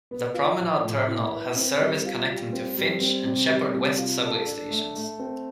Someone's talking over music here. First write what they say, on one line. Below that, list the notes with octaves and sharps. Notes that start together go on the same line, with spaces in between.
The Promenade Terminal has service connecting to Finch and Sheppard West subway stations.
B3
F4
F3
A2
E4
B4
C4
G3
F4
G3
C4
G3
C4
C3
G3
C3
F4
A4
D4
A3
A3
C4